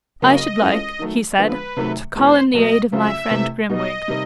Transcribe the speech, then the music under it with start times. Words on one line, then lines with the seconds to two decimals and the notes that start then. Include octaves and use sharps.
'I should like,' he said, 'to call in the aid of my friend Grimwig.
0.22 C#3 F#3 A#3 C#4 D#5
0.61 E3 G#3 C#4 F4 A4
0.99 D#3 F#3 A3
1.38 D3 F3 G#3 B3 B4
1.77 C3 D#3 F#3 A3
2.15 E2 B2 G#3 C5
2.53 B2 F#3 A3 D#5
2.92 C#3 F#3 A3 C4 F4 E5
3.31 C3 E3 A3
3.69 B2 G3 B3 D#4 D#5
4.08 C3 D#3 G3